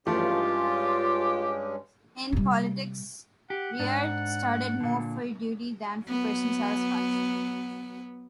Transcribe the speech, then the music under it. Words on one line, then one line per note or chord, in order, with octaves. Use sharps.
In politics, Riart started more for duty than for personal satisfaction.
G2 E3 F3 G#3 A3 C#4 F4 G4
C3 G3
G4 F#5
G#2 D4
A#2 D3
F#3 B3